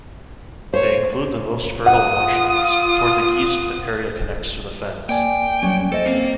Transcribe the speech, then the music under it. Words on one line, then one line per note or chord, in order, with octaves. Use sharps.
They include the most fertile marshlands; towards the geest the area connects to fens.
C5 C#5
F4 F#5 D#6
A#3 D5 G5 G#5
F#3 G3 C#4
A4 C5 D#5
A#3 C4